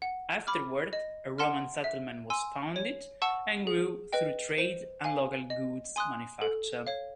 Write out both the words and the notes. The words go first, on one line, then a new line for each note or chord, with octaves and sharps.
Afterward a Roman settlement was founded and grew through trade and local goods manufacture.
F#5
B5 D6 F6
D#5
F#5 A5 C6 F6
E5
G#5 C6 E6
C#5
F#5 A5 C#6 E6
G#4
B4 D#5 G5
C5
F5 G#5
D#5
G#5 C6 D#6 F#6
A4
C#5 F5